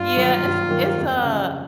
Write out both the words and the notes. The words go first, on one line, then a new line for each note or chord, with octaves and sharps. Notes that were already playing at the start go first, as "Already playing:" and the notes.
Yeah, it's it's a
Already playing: G2 F4
D#3 F#3 A#3
G2
D#3 F#3 A#3
F2
C#3 F3